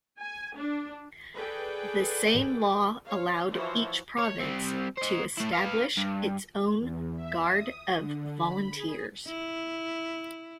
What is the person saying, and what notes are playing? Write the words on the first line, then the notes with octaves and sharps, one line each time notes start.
The same law allowed each province to establish its own "Guard of Volunteers".
G#5
D4
G#4 A4 B4 D5 G5
C#5 F5
E3 F3 E4 F#4 C5 C#5
C#5
G3 C4
C5 D#5
A3 E4
B4 F5
G2
E2
E5
D#6
D3
B5
G#4
E4